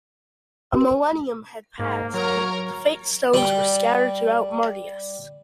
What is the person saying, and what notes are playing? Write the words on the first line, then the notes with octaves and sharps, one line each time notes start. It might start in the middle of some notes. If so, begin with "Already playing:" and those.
A millennium had passed, and the Fatestones were scattered throughout Mardias.
G#2 A#3
F#3 A#4 C#5 A#5 F6
G3 G5